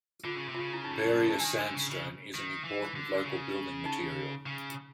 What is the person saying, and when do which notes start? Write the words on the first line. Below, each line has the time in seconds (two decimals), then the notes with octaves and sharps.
Berea sandstone, is an important local building material.
0.24 D3 F4
0.36 C#3
0.49 C3
0.55 F4
0.60 C#3
0.73 E4
0.84 D#4
0.92 G3
0.99 D#4
1.05 F#3
1.14 D#4
1.18 F3
1.30 E3 D#4
1.40 D#3 D4
1.58 D3 D4
1.75 C#3
1.90 C#3
2.35 D#3
2.64 E3
2.96 D3
3.25 C#3
3.86 D#4
4.46 C#3